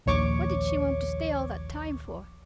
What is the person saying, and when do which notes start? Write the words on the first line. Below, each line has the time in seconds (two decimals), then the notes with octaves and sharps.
What did she want to stay all that time for?
0.06 A#1 D#2 C#5 C#6 D6